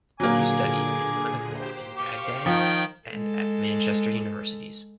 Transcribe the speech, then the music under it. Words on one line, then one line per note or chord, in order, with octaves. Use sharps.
He studied Islamic law in Baghdad and at Manchester Universities.
A#2 D3 F#3 A#3 G#4 G#5 D6
G4 C5
G4 C5 F5 C#6
D#3 F3 G5
G#3 A4